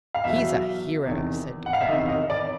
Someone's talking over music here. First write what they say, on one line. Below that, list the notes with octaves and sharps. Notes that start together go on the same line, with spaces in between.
"He's a hero!" said De Craye.
F5
E2 B2 F#3 E5
E2 C3 D#3
F#5
F5
E5
E2 C3 D#3 D#5
D#5
D5